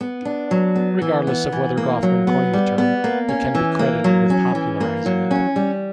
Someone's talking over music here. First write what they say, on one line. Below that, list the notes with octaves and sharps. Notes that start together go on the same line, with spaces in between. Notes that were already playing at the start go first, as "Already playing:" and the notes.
Regardless of whether Goffman coined the term, he can be credited with popularizing it.
B3
D4
F#3
B3
E3
B3
E3
A#3
F#3
B3
G3
B3
A#3
C#4
E3
A#3
F#3
C#4
E3
A#3
F#3
C#4
G3